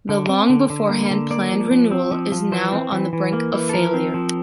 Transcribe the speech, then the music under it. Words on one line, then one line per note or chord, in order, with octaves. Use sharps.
The long beforehand planned renewal is now on the brink of failure.
D3
C4
D3
D3
A#3
D3
A#3 D5
F3
F3
C4
F3
F3
E3 C5
C4
E3
E3
A#3
E3
A4
F3 A#4
C4
F3